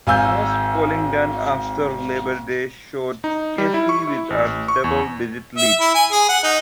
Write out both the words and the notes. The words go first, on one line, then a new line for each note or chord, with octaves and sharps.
Most polling done after Labor Day showed Casey with a double-digit lead.
G#1 F5 G#5 E6 G6
D#4
G3
E4
C#6
E4
A1
C#6
E2
E5
E4
G#5
G#4
F#5
D#4